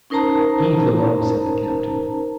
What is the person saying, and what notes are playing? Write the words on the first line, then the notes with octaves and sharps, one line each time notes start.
"Heave the log," said the captain.
C#4 D#4 A#4 C5 A5 A#5